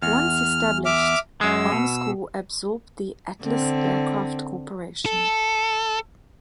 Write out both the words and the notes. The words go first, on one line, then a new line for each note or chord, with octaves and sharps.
Once established, Armscor absorbed the Atlas Aircraft Corporation.
E2 F6
E5 D6 F6
F#2 G#3 E6
B2
D3 C4
A4